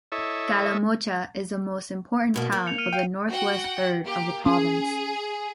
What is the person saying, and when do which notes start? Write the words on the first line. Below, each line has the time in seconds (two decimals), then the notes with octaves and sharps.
Calamocha is the most important town of the Northwest third of the province.
0.12 E4 A4 C#5 D#5 E5
2.34 G2 B2 A#3
2.52 A#3
2.66 C#7 F7
2.78 F6 C#7 D#7
2.93 F5 G5
3.31 F#4 F#5 G5
4.04 A#3 G4
4.46 C#4 G#4